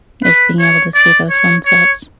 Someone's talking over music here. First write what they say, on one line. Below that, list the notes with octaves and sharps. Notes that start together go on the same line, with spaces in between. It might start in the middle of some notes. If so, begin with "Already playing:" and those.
is being able to see those sunsets.
B4
C#5
D5
C#5
C#5